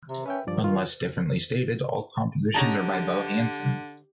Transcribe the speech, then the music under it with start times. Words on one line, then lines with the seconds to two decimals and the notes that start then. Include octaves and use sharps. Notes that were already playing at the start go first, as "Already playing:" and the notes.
Unless differently stated, all compositions are by Bo Hansson.
0.08 C3
0.26 C#4 B4 E5 G5
0.47 G2 D#3 F3 D5
0.64 F4
2.54 D3 C#4 D#4 G4 G#4 A5 A#5